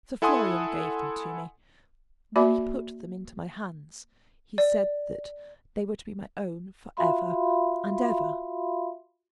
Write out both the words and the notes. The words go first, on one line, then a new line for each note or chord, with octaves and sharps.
Sir Florian gave them to me. When he put them into my hands, he said that they were to be my own for ever and ever.
E4 A4 F#5 G#5 C6 D#6
A#3 F#4 D5 E5 B5 D6
D5
F4 F#4 E5 F5 B5 C6